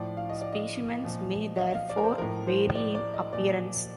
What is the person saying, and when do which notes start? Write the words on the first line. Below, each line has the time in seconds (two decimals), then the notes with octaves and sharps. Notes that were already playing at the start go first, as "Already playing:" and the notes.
Specimens may therefore vary in appearance.
Already playing: A2 F3 D5
0.17 F5
0.29 D#5
0.41 D5
0.52 D#5
1.04 A#2 F3
1.56 D#5
1.60 F5
1.75 F5
1.90 D5
1.97 A#4
2.04 C5
2.18 A2 F3 A#4
2.47 C5
2.75 D5
2.95 D5
3.14 D#5
3.33 A#2 F3 D5